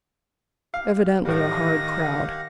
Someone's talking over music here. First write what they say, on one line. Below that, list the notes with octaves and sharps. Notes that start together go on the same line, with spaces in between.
"Evidently a hard crowd."
G4 F5
A2 D#3 G3 G4 F5 F#5 A#6